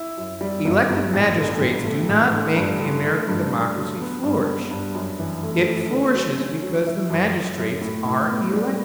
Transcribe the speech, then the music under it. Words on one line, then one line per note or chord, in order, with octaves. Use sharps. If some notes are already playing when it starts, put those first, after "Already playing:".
Elected magistrates do not make the American democracy flourish; it flourishes because the magistrates are elective.
Already playing: E4
F#2
G3
G1
G1
A1
D3
A1
A3
A1
D3
G2
D3
A3
G2
D4
F#3
B3
G2
B3
G2
F#2
E3
A3
A3
D3
F#3
C#4
F#3
E4
F#2
F#2
F#2
A2
A2
B3
G3